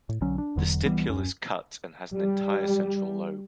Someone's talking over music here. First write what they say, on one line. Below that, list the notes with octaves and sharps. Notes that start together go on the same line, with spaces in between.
The stipule is cut and has an entire central lobe.
A2
B1 D3 F#3 C#4
D4
E1 E2 D3 F#3
C#2 E3 G3 B3
D1 F#2 C#4
G3